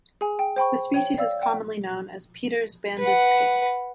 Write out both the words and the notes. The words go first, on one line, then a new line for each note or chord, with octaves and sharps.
The species is commonly known as Peters' banded skink.
G#4 G#5
G5
C5 G5 B5 C#6
C#5 G5
D5 F5 E6
F#5 G5
B4 F#5